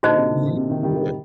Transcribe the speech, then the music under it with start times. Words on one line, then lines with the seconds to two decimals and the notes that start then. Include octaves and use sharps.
Mhm. Yeah.
0.03 A#2 D3 D#4 F#4 C5 D#5 A5
0.17 C3
0.30 C3
0.44 A#2
0.56 C3
0.70 C3 D#3
0.83 D#3 G3
0.97 D#3 G3